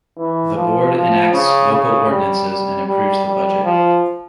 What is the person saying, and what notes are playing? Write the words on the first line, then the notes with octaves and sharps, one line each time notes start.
The board enacts local ordinances and approves the budget.
E3
F3
F3
C#3
C#3
G3
G3
G3
G3
F3